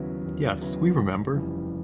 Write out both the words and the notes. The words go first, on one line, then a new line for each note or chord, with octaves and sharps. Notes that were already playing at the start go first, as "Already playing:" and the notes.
Yes, we remember.
Already playing: D#2 C#3 F#3 B3 E4
D#2
C#3 F#3 B3 E4
F1
F2 C#3 E3 G3